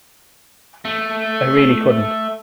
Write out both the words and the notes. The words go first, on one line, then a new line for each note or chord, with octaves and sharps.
I really couldn't.
A3